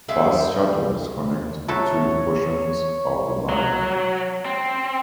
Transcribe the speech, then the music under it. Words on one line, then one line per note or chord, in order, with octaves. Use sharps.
Bus shuttles connect the two portions of the line.
G3 G#3 A4 E5 F5
F#3 A3 A4 C#5
F#3
C4